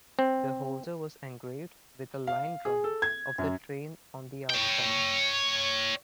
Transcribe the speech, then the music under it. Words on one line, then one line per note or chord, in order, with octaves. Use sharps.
The holder was engraved with a line drawing of the train on the outside.
C4
F5
G#4
A4
G#6
F#2
C#5 G5